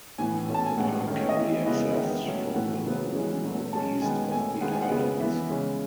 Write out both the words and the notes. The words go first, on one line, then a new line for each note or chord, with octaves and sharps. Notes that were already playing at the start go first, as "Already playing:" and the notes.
The park can be accessed from the lagoon northeast of the islands.
A2 E3 B3 G#5
B2 A3 C#4
A5
G#5
A2 G#3 B3 F#5
D#3 A3 C#4
C#5
D#5
E3 B3 E5
C#3 E3 G#3 B3 D#5
D#3 G#3 B3 E5
B2 F#3 A3 C#4
A2 E3 A3 F#5
C#3 F#3 B3
E3 G#3 C#4
B2 F#3 A3
B2 G#3 C#4 A5
D#3 G#3 B3 G#5
B2 A3 C#4 G#5
D#3 G#3 B3 F#5
G#5
F#5
C#3 G#3 B3
E3 B3 E5
C#3 G#3 C#4